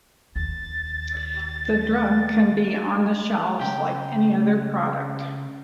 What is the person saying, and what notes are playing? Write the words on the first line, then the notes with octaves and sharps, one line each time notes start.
The drug can be on the shelves like any other product.
D#2 A6
C#3 G5